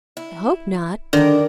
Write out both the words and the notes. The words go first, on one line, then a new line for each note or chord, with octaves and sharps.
"I hope not."
E4
D3 D#3 A#4 D5